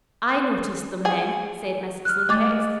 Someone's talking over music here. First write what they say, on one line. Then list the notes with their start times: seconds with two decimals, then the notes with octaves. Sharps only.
"I noticed them, then," said Mrs. Lupex.
1.05 G#4 G#5
2.05 F6 F#6
2.29 G#3 A3 D6 A6